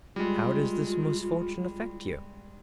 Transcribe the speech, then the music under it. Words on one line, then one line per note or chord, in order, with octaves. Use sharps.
How does this misfortune affect you?
G3 G#3 F4